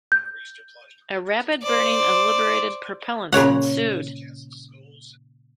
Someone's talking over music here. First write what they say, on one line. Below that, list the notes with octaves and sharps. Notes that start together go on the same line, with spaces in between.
A rapid burning of liberated propellants ensued.
G6
C5 D5
A#2 C#3 C#5 F#5